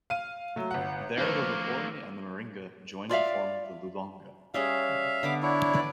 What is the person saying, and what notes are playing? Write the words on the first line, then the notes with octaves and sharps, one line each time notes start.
There the Lopori and the Maringa join to form the Lulonga.
F5 D#7
F#3 A3
G1 F#5
F3 A3 A#3 B4
F4 D5 E5 F5
G3 C#4 G#4 E5 F5
D3 B3 D6
D4 E4 C#5
B4 D5